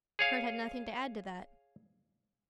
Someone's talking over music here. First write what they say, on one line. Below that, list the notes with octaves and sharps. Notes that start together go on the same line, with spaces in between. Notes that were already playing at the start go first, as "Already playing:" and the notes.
Kurt had nothing to add to that.
G#4 C#5 F5